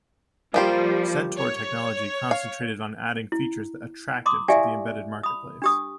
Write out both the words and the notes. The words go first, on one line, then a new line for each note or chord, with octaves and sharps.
Centaur Technology concentrated on adding features attractive to the embedded marketplace.
F3 G3 A#3 G4 C5
C#5
F5
E4
A#5 C6 D6 D#6
E4 G4 D5 E5 F5 G#5
B5 D#6
D4 G4 D#6